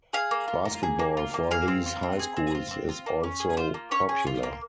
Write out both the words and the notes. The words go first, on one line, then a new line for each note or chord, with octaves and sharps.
Basketball for these high schools is also popular.
G#4 F5
A#3
F4
A#3
G#4
A#3
F4
A#3
G#4 F5
C4
F4
C4
G#4
C4
F4
C4
F4
A#3
C#4
G#4
F4 C5
A#3
C#4 C#5
G#4
F4
A#3